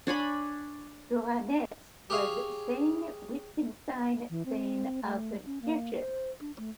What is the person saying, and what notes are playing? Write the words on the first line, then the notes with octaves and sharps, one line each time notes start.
Johanette's was Sayn-Wittgenstein-Sayn-Altenkirchen.
D4 C#5 G#5 B5
G4 G#4 C#5 F5 G#5
E3
C4
A3
C#4
A#3
C5
D4
A3